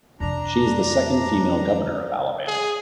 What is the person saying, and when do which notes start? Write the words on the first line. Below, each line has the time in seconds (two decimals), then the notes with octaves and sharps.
She is the second female governor of Alabama.
0.20 F2 C3 D4 A#5
2.47 G#4